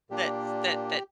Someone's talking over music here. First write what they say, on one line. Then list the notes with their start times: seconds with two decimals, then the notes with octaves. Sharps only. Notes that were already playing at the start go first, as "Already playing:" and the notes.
that's that that
0.10 A#2 A#3 D4 G4